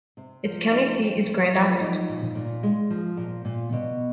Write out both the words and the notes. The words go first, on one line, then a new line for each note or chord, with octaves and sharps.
Its county seat is Grand Island.
C3
F3
D#4
C4
A3
F3
D#4
A#2
A#2
G#3
F3
A#2
A#2
B2